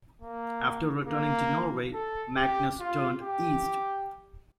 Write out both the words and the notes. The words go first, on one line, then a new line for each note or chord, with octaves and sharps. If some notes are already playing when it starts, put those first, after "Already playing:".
After returning to Norway, Magnus turned east.
A#3
A#3
A4
G4
F4
G4